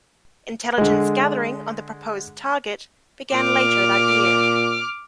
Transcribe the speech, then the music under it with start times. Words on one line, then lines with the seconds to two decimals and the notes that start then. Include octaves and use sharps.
Intelligence gathering on the proposed target began later that year.
0.78 D3 G#3
3.34 A#2 D6 F6